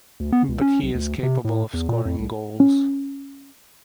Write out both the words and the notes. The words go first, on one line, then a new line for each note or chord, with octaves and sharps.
But he is capable of scoring goals.
D2
B3
C#2
C#4
B1
D2
C3
A2
E2
A#2
F2
C2
C#4